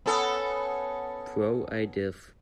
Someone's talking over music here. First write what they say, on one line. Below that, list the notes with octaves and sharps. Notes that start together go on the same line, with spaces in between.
Pro I Div.
B3 C#4 A4